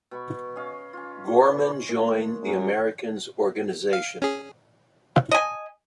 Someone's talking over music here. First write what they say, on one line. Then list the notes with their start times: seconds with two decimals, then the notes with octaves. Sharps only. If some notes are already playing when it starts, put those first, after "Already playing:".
Gorman joined the Americans' organization.
0.11 B2 B5 C#6
0.56 C#4 D#5 F5
0.93 C#4 F4
1.42 B4 D5
1.89 G#3 A#3
2.43 F#2
3.93 F5
4.22 C#4 G#4
5.31 D#5 G#5